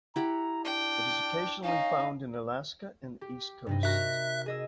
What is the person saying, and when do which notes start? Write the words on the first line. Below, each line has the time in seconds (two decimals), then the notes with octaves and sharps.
It is occasionally found in Alaska and the East Coast.
0.16 E4 G4 F#5 A#5
0.65 D4 G5
1.64 C#4 D#4 F5
3.21 G4
3.66 G2 C3 D#4
3.83 F#4 A#4 E5 A#5 F#6
4.46 G#4 D#5 E6